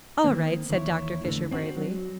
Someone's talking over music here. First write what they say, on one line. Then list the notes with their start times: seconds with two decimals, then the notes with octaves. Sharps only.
"All right," said Dr. Fisher bravely.
0.24 D#3 A#3 C4
0.70 D#2 E3 E4 C#5
1.24 F2 A2 D3 E3
1.51 C4 D4 F#4
1.77 F#3